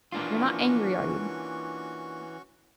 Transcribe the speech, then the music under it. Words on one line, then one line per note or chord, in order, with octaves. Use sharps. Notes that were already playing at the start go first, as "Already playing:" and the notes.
You're not angry, are you?
E3 A#3 C#4 D4 F4 F#4 C#6